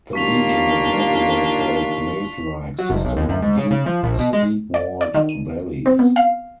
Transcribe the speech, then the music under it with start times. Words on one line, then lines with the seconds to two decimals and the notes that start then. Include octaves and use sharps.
The region is notable for its maze-like system of deep, steep-walled valleys.
0.13 D#2 A#3 D4 F4 C#6 B6 F7
2.78 F#3
2.90 F#1
3.05 B1
3.17 D#2
3.29 F#2
3.42 G#2
3.58 C#3
3.71 C#3
3.86 F3
4.03 A#1
4.19 B2
4.33 G#3
4.74 D5
5.01 D5
5.14 D#3
5.29 D#7
5.86 C4
5.99 B3
6.16 F5